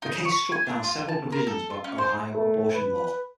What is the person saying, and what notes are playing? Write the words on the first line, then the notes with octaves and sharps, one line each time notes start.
The case struck down several provisions of an Ohio abortion law.
D#4
C#6
G#5
D4
F4
A5
A#4
A4
F4
C#4
C5
A3
B4